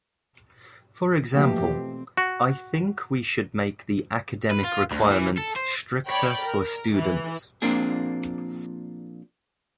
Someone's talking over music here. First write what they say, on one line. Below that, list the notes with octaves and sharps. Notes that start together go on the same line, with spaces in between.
For example, I think we should make the academic requirements stricter for students.
B2 E3 F3 A3 A#3 G4
C4
F#4
B4
F4
D2
E3
A4
C5
C#5 D5 G5 B5
A#4
E3
A#2 F3 A#3 C4 D4 G#4